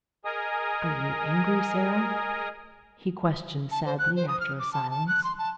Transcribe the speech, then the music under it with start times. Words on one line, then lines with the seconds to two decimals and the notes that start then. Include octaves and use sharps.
"Are you angry, Sara?" he questioned sadly, after a silence.
0.25 G#4 A#4 D#5 G#5 A#5 D#6
3.71 A5
3.86 C5
3.99 F#6
4.16 C5
4.28 D#6
4.40 F6
4.59 D6
4.73 A5
4.90 A5
5.08 F#6
5.24 C6
5.38 A5